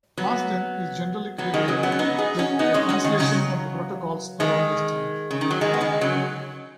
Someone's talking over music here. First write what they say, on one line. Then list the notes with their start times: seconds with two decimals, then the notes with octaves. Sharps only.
Marsden is generally credited with a translation of the "Protocols" around this time.
0.17 F#3 B3
1.38 F#3 B3
1.54 D#3 G#3
1.68 C#3 F#3
1.83 F#3 B3
1.92 C#4
1.99 B3 D#4
2.18 D#4 G#4
2.39 C#4 F#4
2.59 B3 D#4
2.74 G#3 C#4
2.89 C#4 F#4
3.04 D#3
3.20 C#3 F#3
4.40 D#3 G#3
5.31 C#3
5.41 D#3
5.50 F#3
5.61 D#3 G#3
5.73 B3
5.81 D#3 G#3
6.01 C#3 F#3